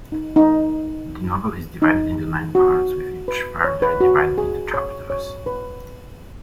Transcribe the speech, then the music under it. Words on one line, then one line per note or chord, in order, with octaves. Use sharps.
The novel is divided into nine parts, with each further divided into chapters.
D#4
D#4
D#4
F#4
B4
C#5
B4
F#4
G#4
C#5
C#5
B4